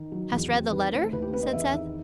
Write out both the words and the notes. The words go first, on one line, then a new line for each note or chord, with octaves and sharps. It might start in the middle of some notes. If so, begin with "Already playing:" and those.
"Hast read the letter?" said Seth.
Already playing: D#3
F#3
E2
C4
D#3 B4
A3 C5
D#2 B4
G4
C4 B4
D#5
E2 E5
D#3